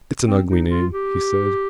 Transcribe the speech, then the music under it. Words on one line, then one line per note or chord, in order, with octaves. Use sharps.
"It's an ugly name," he said.
C4
D#4
F4
G4